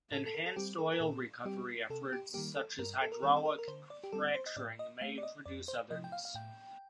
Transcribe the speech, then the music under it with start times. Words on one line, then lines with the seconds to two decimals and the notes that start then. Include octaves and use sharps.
Enhanced oil recovery efforts such as hydraulic fracturing may introduce others.
0.11 A2 A4
0.26 A4
0.35 A#4
0.46 A4
0.56 G3 C4 G4
0.78 A4
0.92 A#4
1.00 A#2 A4
1.45 G3 C4 G4
1.90 C3 A4
2.13 G4
2.34 D#3 G3 A#3 G4
2.56 A4
2.78 G2 A#4
3.01 A4
3.12 A#4
3.23 D#3 G3 C4 A4
3.36 A4
3.45 A#4
3.58 A#4
3.68 D3 C5
3.90 D5
4.04 G4
4.12 G3 C4 A4
4.34 C5
4.46 D#5
4.56 A2 D5
4.79 D#5
5.01 A3 C4 F5
5.18 D5
5.23 D#5
5.46 F2 D5
5.68 C5
5.90 C3 F3 D#5
6.04 G5
6.12 F5
6.25 F5
6.34 A2 G5